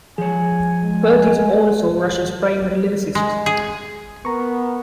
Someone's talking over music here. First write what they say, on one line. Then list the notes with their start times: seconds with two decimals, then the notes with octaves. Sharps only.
Peart is also Rush's primary lyricist.
0.18 F3 G#4 C#5 G#5
0.83 G#3
3.15 G#3
3.46 G#4
4.25 B3 A#4 A#5 C#6